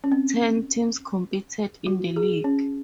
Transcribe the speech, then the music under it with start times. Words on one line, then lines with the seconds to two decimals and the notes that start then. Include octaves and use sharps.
Ten teams competed in the league.
0.04 C#4
0.12 C4
1.87 F#4
2.16 G#4
2.44 C#4